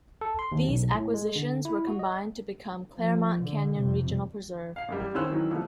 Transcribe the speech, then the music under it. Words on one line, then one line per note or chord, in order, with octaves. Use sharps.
These acquisitions were combined to become Claremont Canyon Regional Preserve.
A4
C6
D#2
B1
A2
G#3
D3
E4
F#4
D#5
F3
D3
F2 C3
F5 C7
A1 F#2 G3
G3
C#2 D#3 C#4 C5 E6 F#6
D#3 E3 F#3 C#4
C2 F3 A3